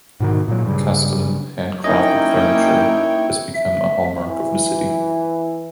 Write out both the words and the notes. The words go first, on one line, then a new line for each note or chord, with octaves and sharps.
Custom hand-crafted furniture has become a hallmark of the city.
G#2 B2 D#3
A#2 F#3
G2 C#3
F#3 A#3 C#4 D#4 E4 C#5 D#5 G5
E5
E3